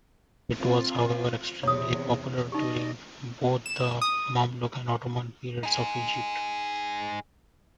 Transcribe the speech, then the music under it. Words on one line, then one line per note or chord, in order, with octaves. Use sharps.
It was, however, extremely popular during both the Mamluk and Ottoman periods of Egypt.
C4 F4
E2 C3 C#5 D#6
D#4 G4 D5 D#5
E7
D#6
D#4 G#4